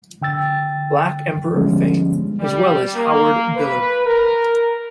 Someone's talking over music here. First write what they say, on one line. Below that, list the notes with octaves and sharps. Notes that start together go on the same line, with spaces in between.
Black Emperor fame, as well as Howard Bilerman.
D3 G5 E6 A6
D3 F3 G3 G#3 B3 C#4
G3
A#3
B4
A#4